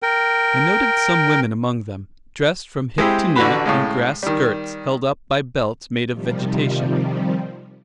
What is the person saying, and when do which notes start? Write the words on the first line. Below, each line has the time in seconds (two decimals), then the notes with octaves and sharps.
I noted some women among them, dressed from hip to knee in grass skirts held up by belts made of vegetation.
0.03 A#4 G5
2.98 G#3 C4 E4 G4
3.36 A1 D3 F#4 B4 B5
3.66 A2 C#3 G#3
4.23 D#3 G3
6.12 C3 D#3 F3 G3